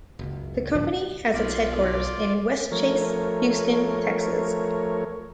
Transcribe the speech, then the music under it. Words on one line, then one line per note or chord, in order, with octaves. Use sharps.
The company has its headquarters in Westchase, Houston, Texas.
F#1 C#2
A#1 G2 C#3 F3
B1 F4 D5
F3 A3 A#4 C#5